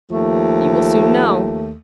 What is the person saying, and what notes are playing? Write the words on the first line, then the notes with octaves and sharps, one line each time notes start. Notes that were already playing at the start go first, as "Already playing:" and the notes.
"You will soon know."
D#2 F3 A3